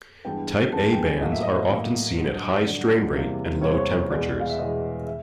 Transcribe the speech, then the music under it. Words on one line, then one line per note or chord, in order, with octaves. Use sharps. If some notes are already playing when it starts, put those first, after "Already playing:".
Type A bands are often seen at high strain rate and low temperatures.
G2 E3 G#3 B3 G5
G2 E3 G#3 B3 A5
G5
G#5
A2 F#3 A#3 D#5
E5
D#5
A2 F#3 A#3
G2 D3 F#3
G2 D3 F#3 D5
E2 C3 E3 G3 A#3
E2 C3 E3 G3 A#3 C#5
C5
C#5
E2 B2 G#3 B3 D5
F5
E5
E2 B2 G#3 B3 D#5
E5